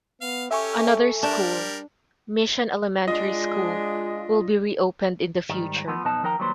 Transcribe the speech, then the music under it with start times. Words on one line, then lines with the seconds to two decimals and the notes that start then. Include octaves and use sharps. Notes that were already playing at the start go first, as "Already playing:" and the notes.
Another school, Mission Elementary School, will be reopened in the future.
0.21 B3 F5
0.51 C#4 G4 A4 E5 G#5 C#6
1.23 G3 D4 A#4
3.08 G#3 D4 F4 D#5
5.49 G#2 D#3 G3
5.88 F3 A3 B3
6.04 B1 F2 B3 D#4 A5
6.23 D#2 F3 D#4 A#4 G5 A#5
6.39 D#3 F#3 G3 A#3 B4 C5